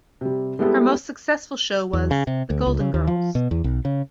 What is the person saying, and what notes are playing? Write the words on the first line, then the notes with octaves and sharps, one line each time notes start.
Her most successful show was "The Golden Girls".
C3 G3
G3 G#3 B3 E4 G4 A4
E2
C#3
C3
D2
C#2
C#3
D#2
F3
B2
E2
B1
C#3